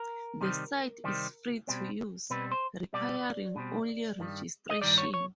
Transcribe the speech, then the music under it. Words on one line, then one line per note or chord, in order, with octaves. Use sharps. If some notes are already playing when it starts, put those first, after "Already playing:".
The site is free to use, requiring only registration.
Already playing: A#4
C3 D#3 G3 C4
C3 D#3 G3 C4
B2 G3 C4
B2 G3 C4 B4
C5
B2 G3 C4 D5
B2 G3 C4
G2 D#3 G3
D#5
G2 D#3 G3 D5
C#5
C#5